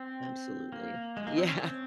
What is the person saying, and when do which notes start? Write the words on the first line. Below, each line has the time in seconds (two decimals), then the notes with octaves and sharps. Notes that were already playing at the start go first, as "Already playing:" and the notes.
Absolutely. Yeah.
Already playing: C4
0.72 A#3
1.17 G#3
1.27 A#3
1.38 C4
1.49 C#4
1.60 C4